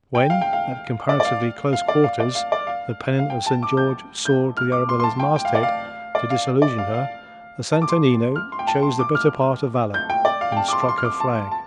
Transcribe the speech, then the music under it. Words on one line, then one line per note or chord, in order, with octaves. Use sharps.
When at comparatively close quarters the pennon of St. George soared to the Arabella's masthead to disillusion her, the Santo Nino chose the better part of valour, and struck her flag.
G5
F5
G5
F5
D5
D5
F5
F5
D5
F5
D5
F5
D5
F5
F5
G5
A5
D6
G6
G6
F6
D6
C6
C6
A5
G5
G5
F5
D5
F5
D5
F5
D5
F5
F5
A5
D6
C6
F6
C6
G5
A5
C6
D6
F6
G6
G5
D5
F5
G5
A5
D6
C6
C6
F6
D6
A5
A5